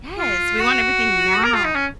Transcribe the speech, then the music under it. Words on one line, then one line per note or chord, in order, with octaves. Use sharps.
Yes, we want everything now.
F4
F#4
A#4
F4
D#4
C#4